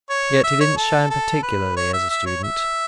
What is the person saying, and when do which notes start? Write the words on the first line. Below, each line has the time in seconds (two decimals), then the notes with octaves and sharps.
Yet he didn't shine particularly as a student.
0.10 C#5
0.44 E5
0.61 C#5
0.77 A4
1.11 A4
1.43 B4
1.77 C#5
1.94 E5
2.10 E5
2.27 C#5
2.43 E5